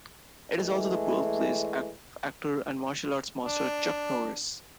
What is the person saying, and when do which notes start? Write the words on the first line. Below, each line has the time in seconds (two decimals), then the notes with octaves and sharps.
It is also the birthplace of actor and martial arts master, Chuck Norris.
0.58 E3 G#3 A3
3.44 D4